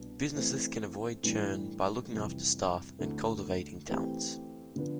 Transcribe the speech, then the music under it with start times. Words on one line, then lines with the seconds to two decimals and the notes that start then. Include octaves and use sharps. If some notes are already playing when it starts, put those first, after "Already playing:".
Businesses can avoid churn by looking after staff and cultivating talents.
Already playing: C2 B2 B3 D4
0.35 E3 A3 C4
1.23 A2 E3 G3 D4
2.11 F2 C3 E3 G3
2.99 D2 D3 A3 E4 A4
3.88 E3 A3 C4 G4
4.76 D3 F3 B3 D4